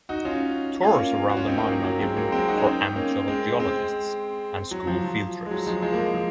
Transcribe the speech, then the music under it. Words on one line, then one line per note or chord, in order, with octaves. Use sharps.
Tours around the mine are given for amateur geologists and school field trips.
D#4 F#4
C#4 F4
C#4 F4
A#3 C#4
F#4
C#4 F4
C4 D#4
A#3 C#4
F#3
F#3 A#3
G#3 C4
F#3 A#3
G#3 C4
D#4 F#4
C#4
C4 D#4
A#3 C#4
G#3 C4
G#3 C4
F#3
F3
F3
G#3
F#3
F3 G#3
F3 G#3
A#3
F3 G#3
F3